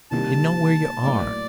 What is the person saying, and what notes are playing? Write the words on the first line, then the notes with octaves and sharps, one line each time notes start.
You know where you are.
C3 D#3 G3 A#3 A5
A2 F#3 A#3 D5